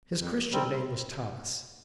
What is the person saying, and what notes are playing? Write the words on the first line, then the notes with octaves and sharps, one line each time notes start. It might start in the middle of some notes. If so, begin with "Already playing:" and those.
His Christian name was Thomas.
F2
C3 G3 C4